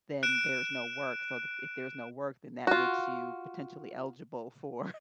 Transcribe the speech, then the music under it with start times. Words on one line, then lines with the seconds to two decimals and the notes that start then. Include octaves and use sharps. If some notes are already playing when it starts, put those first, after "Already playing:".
then there's no work, so th if there's no work, then that makes you potentially eligible for
0.23 F#6 D7 E7
2.67 F4 F#4